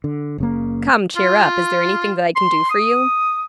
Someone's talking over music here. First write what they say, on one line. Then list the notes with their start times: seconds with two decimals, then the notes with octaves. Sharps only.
"Come, cheer up; is there anything that I can do for you?"
0.04 D3
0.38 F#1 C#3 A#3
1.17 F4
2.36 C6
2.70 D#6